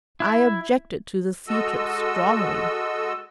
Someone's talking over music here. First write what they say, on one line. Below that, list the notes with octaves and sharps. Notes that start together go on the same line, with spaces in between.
I objected to the sea trip strongly.
E4
G#3 F#4 A4 D#5 E6